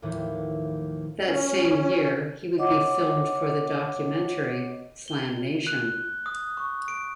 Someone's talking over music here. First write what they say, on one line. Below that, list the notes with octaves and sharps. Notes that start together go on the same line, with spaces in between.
That same year, he would be filmed for the documentary "SlamNation".
D#2 A2 E3 F3
C#4
C#5 D#5 F#5 D6
G7
F#6
D#6
C#6
D7